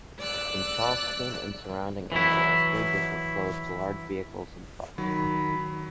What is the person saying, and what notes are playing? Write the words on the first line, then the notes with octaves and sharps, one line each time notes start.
In Charleston and surrounding areas, bridges were closed to large vehicles and trucks.
D5 E6 F#6
E3 F#3 E4
D#3 F#3 B5